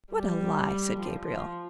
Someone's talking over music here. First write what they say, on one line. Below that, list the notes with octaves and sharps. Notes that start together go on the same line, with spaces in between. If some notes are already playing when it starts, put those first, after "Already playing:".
"What a lie!" said Gabriel.
G3
F3
F3